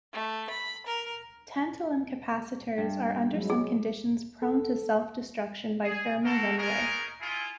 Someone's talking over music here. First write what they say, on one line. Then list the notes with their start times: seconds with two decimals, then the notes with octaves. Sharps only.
Tantalum capacitors are under some conditions prone to self-destruction by thermal runaway.
0.13 A3
0.50 B5
0.86 A#4
2.78 G2
3.33 F#3 G#3 E4
3.50 G#4
4.42 A4
5.84 G#4
6.23 A#3 C4 F#4 A4 A#4
6.56 G#3 B3 C#4 D#4 G#4 A#4
7.20 E4 F4 G#4